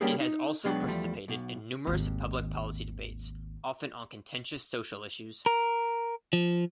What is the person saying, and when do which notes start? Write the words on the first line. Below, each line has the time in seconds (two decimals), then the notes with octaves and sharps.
It has also participated in numerous public policy debates, often on contentious social issues.
0.01 G3 A#3 C#4 D4 G4 G#4
0.20 D#4
0.64 B1 F#3 G#3 B3 D4 G5
0.88 E2 F3 G3 A3
1.28 B1 B2
1.87 G#1 D#2
5.46 A#4
6.33 F3